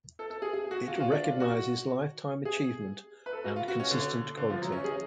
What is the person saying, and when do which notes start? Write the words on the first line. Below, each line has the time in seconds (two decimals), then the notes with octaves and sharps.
It recognizes lifetime achievement and consistent quality.
0.19 A4
0.30 A4
0.42 G#4
0.53 G#4
0.71 F#4
0.88 F4
0.96 F#4
1.00 F4
1.12 D4
1.23 F4
1.40 F#4
2.45 G#4
3.26 B4
3.33 A4
3.44 F#4
3.56 F4
3.68 F#4
3.80 C#4
3.91 D3
4.37 D3
4.50 F3
4.62 F#3
4.72 C#4
4.84 G#4